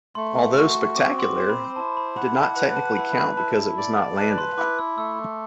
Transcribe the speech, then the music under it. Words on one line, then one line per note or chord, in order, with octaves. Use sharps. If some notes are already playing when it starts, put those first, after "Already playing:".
Although spectacular, it did not technically count because it was not landed.
A3 C6
F#4
C4 D6
C6
D6
C5
B5
E4 A5
B5
F#5 B5
A5
B4 B5
A5
E4 B5
B5
E4 A5
D5
B4 A5
C6
E4 D6
E6
A3 E6